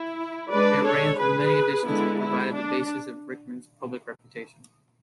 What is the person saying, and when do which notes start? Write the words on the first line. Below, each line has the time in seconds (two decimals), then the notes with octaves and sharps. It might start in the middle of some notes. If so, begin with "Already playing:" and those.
It ran through many editions and provided the basis of Rickman's public reputation.
Already playing: E4
0.50 G#3 D4 B4 D5
0.84 A4 C#5
1.18 G#4 B4
1.86 D3 G#3 B3 E4
2.20 E4
2.55 D4